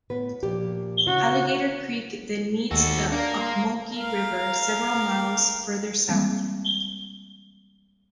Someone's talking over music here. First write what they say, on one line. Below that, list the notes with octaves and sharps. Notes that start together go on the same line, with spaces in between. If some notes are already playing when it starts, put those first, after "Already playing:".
Alligator Creek then meets the Ocmulgee River several miles further south.
A2 B3 B4
A#2 F3 G4
C#3 F#4
D#2 F#4 A4
A#3 D4 A#4
C6
A#4 F5
E3 G3 G#3 A#3 C4